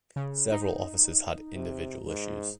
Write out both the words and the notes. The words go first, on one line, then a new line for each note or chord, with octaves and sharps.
Several offices had individual issues.
C#3
D#4
C3
G#2